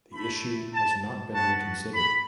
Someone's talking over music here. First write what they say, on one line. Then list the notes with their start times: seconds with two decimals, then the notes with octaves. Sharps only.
The issue has not been reconsidered.
0.14 A3 E4 B5
0.74 A5
1.34 B3 F#4 A5
1.95 B5